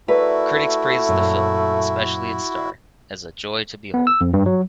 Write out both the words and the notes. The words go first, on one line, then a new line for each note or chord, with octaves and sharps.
Critics praised the film, especially its star, as "a joy to behold".
A3 E4 F#4 A#4 B4 D5
F#2 A#2
B3
E6
F2
G2
F#3